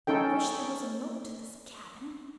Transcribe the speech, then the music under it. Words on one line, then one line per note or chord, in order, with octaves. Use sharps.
I wish there was a moat to this cabin.
C#4 D#4 A4 G5